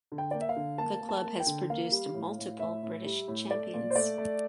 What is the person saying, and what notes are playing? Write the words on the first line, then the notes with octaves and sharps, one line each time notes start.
The club has produced multiple British champions.
D3
G5
A#3 D5
E5
F5
D3
A#3 A5
A#3
A5
A#3
G5
D3
A#3 F5
G3
A2
A2
A2 E5
A2
G3
A2
A3 D5
A#2
C5
A3 D5
A3